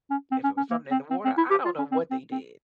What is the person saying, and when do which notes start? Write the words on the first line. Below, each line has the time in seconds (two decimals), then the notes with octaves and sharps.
if it was something in the water, I don't know what they did,
0.10 C#4
0.31 C4
0.44 C#4
0.57 C#4
0.70 A#3
0.91 C4
1.10 C4
1.25 C4
1.37 E4
1.50 G4
1.65 F4
1.78 C#4
1.91 C4
2.11 C4
2.31 C4